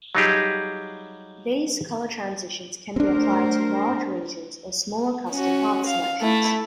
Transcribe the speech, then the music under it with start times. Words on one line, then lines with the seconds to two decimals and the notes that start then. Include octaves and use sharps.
These color transitions can be applied to large regions or smaller custom path selections.
0.15 F#3 G3 D#4 F4 G4 G#4
2.96 A3 C4 D4 A#4 C5
5.31 C#4 F#4
5.87 F5
6.21 A3 E4